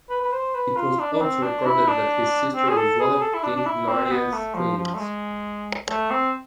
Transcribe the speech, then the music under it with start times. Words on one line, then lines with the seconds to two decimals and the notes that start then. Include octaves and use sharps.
It was also recorded that his sister was one of King Narai's queens.
0.10 B4
0.22 B4
0.32 C5
0.55 B4
0.77 F4
0.99 D4
1.13 D4
1.21 C4
1.43 D4
1.66 E4
1.87 D4
2.55 C4
2.69 G#4
2.76 A4
2.99 G#4
3.21 A4
3.34 E4
3.43 D4
3.56 D4
3.66 E4
3.88 C4
4.05 C4
4.11 B3
4.33 A3
4.54 F3
4.77 F3
4.94 A3
4.99 G#3
5.89 A3
6.10 C4